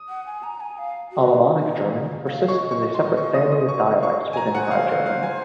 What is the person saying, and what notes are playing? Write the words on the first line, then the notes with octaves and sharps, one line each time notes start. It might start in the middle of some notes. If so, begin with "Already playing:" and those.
Alemannic German persists as a separate family of dialects within High German.
Already playing: D#6
F#5
G#5
A#5
G#5
F5
F#4
D#4
D#4
F#5
F5
D#5 C#6
C#6
C6
C#6
D#6
D#6
C#6
F5
C#6
D#5
G#5
A#5
C5 F#5
F5
F5
F5
G#5